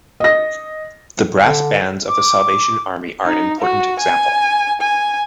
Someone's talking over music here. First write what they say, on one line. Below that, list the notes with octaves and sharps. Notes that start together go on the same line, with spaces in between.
The brass bands of the Salvation Army are an important example.
D#5 A#6
D3
D6
D#4
F#4
G#5
G#5